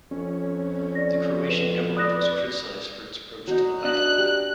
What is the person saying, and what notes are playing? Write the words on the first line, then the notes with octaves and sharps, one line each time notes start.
The Croatian government was criticised for its approach to the battle.
F2 C#4
D5 A#6
B4 D#7 E7
B4 D5 D#6 F#6 A#6
F#3 D#4
D4 D#5 E5 F#6
G4